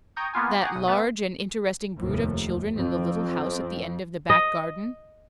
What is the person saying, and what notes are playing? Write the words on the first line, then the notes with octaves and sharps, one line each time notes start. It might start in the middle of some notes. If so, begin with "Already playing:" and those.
"That large and interesting brood of children in the little house at the end of the back garden?"
G5 A#5 C#6 D#6 G6 G#6
A#3 B3 F4 G#5
G#4 F#5 G5 A#5 C#6 D6
B1 D#6
A3 B3
F1 D#2 A2
F2 C4
D#5